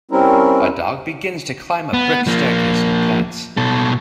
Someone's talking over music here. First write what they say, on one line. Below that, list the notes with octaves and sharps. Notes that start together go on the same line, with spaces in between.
A dog begins to climb a brick staircase near plants.
G3 C4 C#4 E4 A#4
B3
F3 A#3
B2 A4